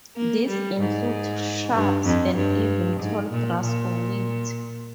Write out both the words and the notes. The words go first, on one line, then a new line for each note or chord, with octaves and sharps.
This includes shrubs and even tall grass or weeds.
A#3
G3
G#2
G2
F2
G2
G#2
A#2
A#2